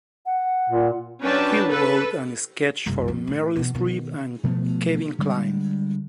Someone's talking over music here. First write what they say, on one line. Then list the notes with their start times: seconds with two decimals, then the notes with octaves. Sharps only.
He wrote an sketch for Meryl Streep and Kevin Kline.
0.26 F#5
0.70 A#2
1.23 F#3 C#4 D4 B4 G5 A5
1.69 A4 B4
2.86 F#1 C2
3.08 F2
3.27 A2
3.56 B2 E3
3.75 B2 D#3
4.44 B2 F3 A3 B3
5.19 D3 G3 G#3